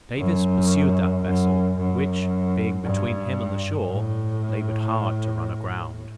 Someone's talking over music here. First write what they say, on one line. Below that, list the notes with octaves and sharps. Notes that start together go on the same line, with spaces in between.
Davis pursued that vessel, which, being between him and the shore, labored hard to run aground.
F#2
F#2
F#2
G2
A2